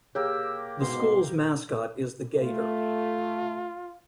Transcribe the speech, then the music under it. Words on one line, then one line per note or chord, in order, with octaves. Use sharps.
The school's mascot is the Gator.
A#3 G4 G#4 C#5 E6
G#2 B2 C6
A3 F4